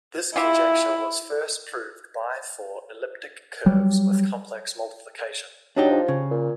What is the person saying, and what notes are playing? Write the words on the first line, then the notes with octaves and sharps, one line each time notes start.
This conjecture was first proved by for elliptic curves with complex multiplication.
E4 F4 G4 E5
F#3 G3
F#3 D4 D#4 G4
F3
C#3
A#2